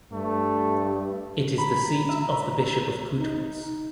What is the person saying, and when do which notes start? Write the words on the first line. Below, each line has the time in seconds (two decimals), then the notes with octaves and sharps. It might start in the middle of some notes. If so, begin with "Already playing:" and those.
It is the seat of the Bishop of Coutances.
0.13 G2 A3
1.58 A#5 B5
2.09 E5
3.18 D#4